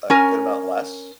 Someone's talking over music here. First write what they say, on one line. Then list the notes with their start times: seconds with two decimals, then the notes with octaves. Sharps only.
a good amount less
0.10 C#4 A#4 G#5